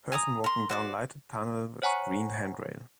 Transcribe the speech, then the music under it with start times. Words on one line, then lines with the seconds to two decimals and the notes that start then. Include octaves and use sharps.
Person walking down lighted tunnel with green handrail.
0.12 G#5 A#5 D6 D#6
0.44 A#4 C6
0.69 F#4 C5 D5
1.82 C5 C#5 F#5 G#5 A#5 C#6